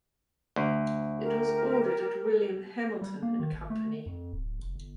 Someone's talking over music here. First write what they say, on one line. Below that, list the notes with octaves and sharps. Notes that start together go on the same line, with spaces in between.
It was ordered at William Hamilton and Company.
D2
G4 A#4
G3
A#3
D#3
G#1
A3
F2
D1
F1
G1